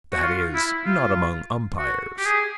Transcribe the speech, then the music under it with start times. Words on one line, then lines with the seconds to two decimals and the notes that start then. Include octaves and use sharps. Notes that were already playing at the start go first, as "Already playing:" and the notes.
That is, not among umpires.
0.12 F#4
0.23 F4
0.55 E4
0.86 F4
1.78 F#4
2.18 G4
2.26 G#4